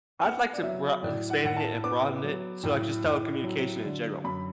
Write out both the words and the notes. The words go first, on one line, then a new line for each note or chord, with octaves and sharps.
I'd like to broa e expand it and broaden it to, like, just telecommunication in general.
B3 F#5
D5
F#3 E5
A2 D5
F#5
A2 F#5
A5
B3 D6
F#3
A2
A2
F#3
D3
F#2 B5